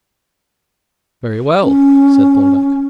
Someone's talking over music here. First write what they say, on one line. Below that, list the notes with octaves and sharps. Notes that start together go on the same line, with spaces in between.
"Very well," said Thorndyke.
C#4